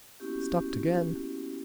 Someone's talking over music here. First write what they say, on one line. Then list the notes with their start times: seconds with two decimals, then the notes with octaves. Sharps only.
Stopped again.
0.20 A#3 B3 C#4 E4 F#4 G4